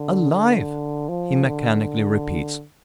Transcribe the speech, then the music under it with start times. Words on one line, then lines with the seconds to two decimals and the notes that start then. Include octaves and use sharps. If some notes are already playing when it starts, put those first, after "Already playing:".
"Alive!" he mechanically repeats.
Already playing: D3
0.32 D3
1.09 F3
1.46 D3